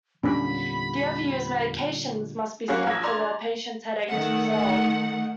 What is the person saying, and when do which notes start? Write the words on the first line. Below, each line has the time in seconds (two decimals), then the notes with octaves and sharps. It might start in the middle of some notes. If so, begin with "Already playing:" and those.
The overused medications must be stopped for the patient's headache to resolve.
0.23 E2 A#2 D3 G3 C#4 D4 B5
2.68 F#3 A#3 C#4 F#4 G#4
2.87 A#1 G#6 A#6
3.03 D5 A#5 C6 G#6
4.07 D#3 A3 F#5